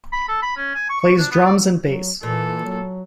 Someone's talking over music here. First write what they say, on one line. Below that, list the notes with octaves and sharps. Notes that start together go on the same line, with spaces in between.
Plays drums and bass.
B5
A4
B5
C#4
G#5
C#6
C#6
D4
B3
D5
F#3
A#2 E3 A4
F#3